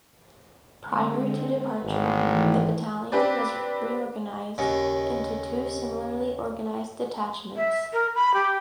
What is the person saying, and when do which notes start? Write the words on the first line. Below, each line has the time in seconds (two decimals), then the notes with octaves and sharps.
Prior to departure the battalion was reorganized into two similarly organized detachments.
0.83 D3 G#3 C4
1.40 B3
1.84 G#1 E3 A3
3.12 C4 D4 G4 B4 D5
4.58 D#2 C#3
7.56 E5
7.93 A#4
8.15 B5
8.34 G4